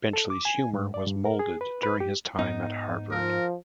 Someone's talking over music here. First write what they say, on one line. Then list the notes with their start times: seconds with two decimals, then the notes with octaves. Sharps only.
Benchley's humor was molded during his time at Harvard.
0.13 A4
0.30 D6
0.45 G#5
0.73 G#2
0.94 D5
1.07 G2
1.25 A#4
1.39 G#4
1.61 B4
1.83 B4
2.00 G4
2.39 G#2 B3 D#4
3.11 F3 A#4